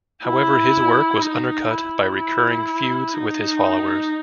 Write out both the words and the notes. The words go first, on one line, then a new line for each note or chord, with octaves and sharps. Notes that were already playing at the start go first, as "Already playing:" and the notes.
However his work was undercut by recurring feuds with his followers.
E4
D#4
E4
E4
D#4